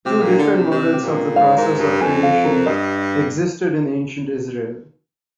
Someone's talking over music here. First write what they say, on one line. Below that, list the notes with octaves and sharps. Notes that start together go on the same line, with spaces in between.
Two different models of the process of creation existed in ancient Israel.
C3 G4
A#2
D4
D3
D4
C3
C3 C5
G4
A#2
D4
G#2 F5
G#2 A#4
G2 A#4
F2 G#5
F5
A#4
G2 D#5